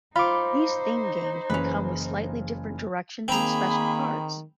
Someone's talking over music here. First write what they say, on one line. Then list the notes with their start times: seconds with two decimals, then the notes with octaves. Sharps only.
These theme games may come with slightly different directions and special cards.
0.16 D#4 F4 C5 B5 D6
1.50 F#1 C#3 E3 C#4 B4
3.28 D#3 A#3 C4 G#4 A#5 B5